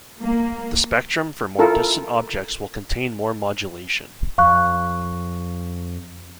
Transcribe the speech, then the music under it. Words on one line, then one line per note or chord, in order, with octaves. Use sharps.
The spectrum for more distant objects will contain more modulation.
A#3
E4 F4 A4 A#4
F2 F5 C#6 F#6